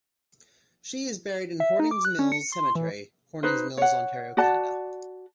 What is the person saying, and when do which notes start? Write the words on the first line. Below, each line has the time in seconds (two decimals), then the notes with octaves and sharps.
She is buried in Hornings Mills Cemetery, Horning's Mills, Ontario, Canada.
1.60 E5
1.79 D#4
1.91 D6
2.05 F#6
2.19 C#4
2.32 C#7
2.52 C6
2.75 E3
3.43 D#4 B4 C5
3.77 C#5 F#5
4.37 F#4 D5 F#5 A5